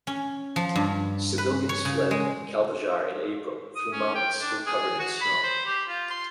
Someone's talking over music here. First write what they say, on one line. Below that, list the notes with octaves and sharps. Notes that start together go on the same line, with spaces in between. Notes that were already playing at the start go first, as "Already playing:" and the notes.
Civilians fled Kalbajar in April through mountains still covered in snow.
C#4
F3
G2
B4
C#5
C#3
G#3
D#6
C#4
G5
D4
G#4
F#4
B5
C5
G4
F4
C6